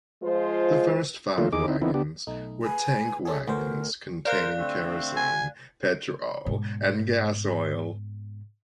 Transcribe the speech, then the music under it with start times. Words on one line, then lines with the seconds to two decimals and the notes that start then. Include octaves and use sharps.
The first five wagons were tank wagons containing kerosene, petrol and gas oil.
0.23 F3 G#3 F4 C5
1.38 D3 F3 A3 A#3 F4
1.52 E2 D#4 G#4 D6
1.68 C4 D#4 E4
1.82 D3 E3 B3 C4 D#4 E4
1.94 B3 D4 G4
2.27 B1 A3 D#4
2.63 G#4 B4 G#5
3.25 F#3 C#4 G#4 A4
3.47 D2 B3 A#4 C5
4.25 A#4 C5 D5 F5 F#6
4.58 D3 A3 C4
5.17 G#5
6.46 G#2 B2